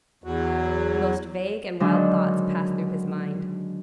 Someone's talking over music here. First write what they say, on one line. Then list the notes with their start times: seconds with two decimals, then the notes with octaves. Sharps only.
The most vague and wild thoughts passed through his mind.
0.24 E2 F#3
1.80 D3 D#3 F#3 G#3 D4